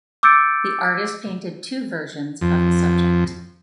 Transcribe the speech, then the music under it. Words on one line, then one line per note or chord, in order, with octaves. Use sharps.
The artist painted two versions of the subject.
D6 E6 G6 A6 C#7 D7
F2